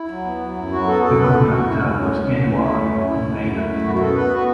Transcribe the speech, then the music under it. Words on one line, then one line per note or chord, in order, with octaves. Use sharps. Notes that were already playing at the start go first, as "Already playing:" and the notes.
The conductor was Eduard van Beinum.
Already playing: E4
F#3
B3
F#3
F#2
F#3 F#4
B3 A4
F#2 A4
B3 B4
F#2 A4
F#2 F#4
F#2 E4
F#2 C#4
F#2 C#4
F#2
F#2
E3
A3 E4
F#2 C#4
F#2 C#4
F#2 E4
F#2
F#2
A3
F#2
B2 F#4
F#4
B3 A4
B3 B4
B3 F#4